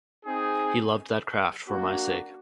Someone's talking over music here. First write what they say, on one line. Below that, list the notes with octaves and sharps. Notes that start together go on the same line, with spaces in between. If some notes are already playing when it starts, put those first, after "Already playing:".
He loved that craft for my sake.
C4 D#4 G#4
A#3 D4 F#4